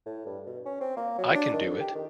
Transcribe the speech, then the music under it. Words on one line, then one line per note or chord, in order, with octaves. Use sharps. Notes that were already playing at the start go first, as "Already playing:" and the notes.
I Can Do It!
A2
G2
B2
C#4
C4
A#3
F#3
D4
D#3
F2
G4
D#3